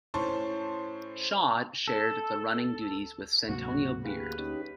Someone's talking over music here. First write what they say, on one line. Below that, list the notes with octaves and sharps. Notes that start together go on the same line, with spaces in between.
Shaud shared the running duties with Santonio Beard.
A2 C#4 C5 A5 C6 C#6
A4
D2 G#2 C3 F#3 A#3 F#4
G4 G#4 B4 F5
C#4 D#4 G4